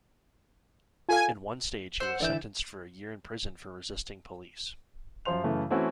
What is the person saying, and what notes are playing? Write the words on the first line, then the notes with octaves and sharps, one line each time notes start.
In one stage he was sentenced for a year in prison for resisting police.
F4 A4 F5 G#5
C5 F#5 E6
D3 E3 D5 E5 G6
F#2 F3 C5 C6 F7
F#2 C#3 E3 A3
E3 A3 C4 C#4 E4 F#4